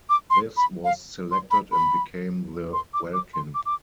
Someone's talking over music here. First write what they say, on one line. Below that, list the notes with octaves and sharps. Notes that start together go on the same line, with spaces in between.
This was selected and became the Welkin.
D6
C6
B5
F5
C6
B5
B5
C6
D6
D6
C6
D6
D6